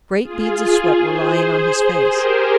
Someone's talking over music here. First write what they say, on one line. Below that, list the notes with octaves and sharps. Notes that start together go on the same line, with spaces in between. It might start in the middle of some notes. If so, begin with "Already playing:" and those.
Great beads of sweat were lying on his face.
F4 G#4
G#4 C5
G#4 C5
G4 A#4